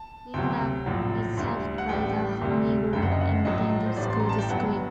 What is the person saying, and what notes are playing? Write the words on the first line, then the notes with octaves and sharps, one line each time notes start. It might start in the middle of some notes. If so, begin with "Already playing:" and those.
Windom is served by the Honey Grove Independent School District.
Already playing: A5
D2 C3 F#3 G5
A#1 A2 F#3
D2 D3 G3
F#5
A1 A2 G3 G5
D2 C3 G3
F#1 F#2 D3 G5
F#5
D#5
F#5
A#1 A2 F#3 D#5
C5
A1 A2 G3 D5
C6
A#5
A5
G5
G1 G2 F#3 F#5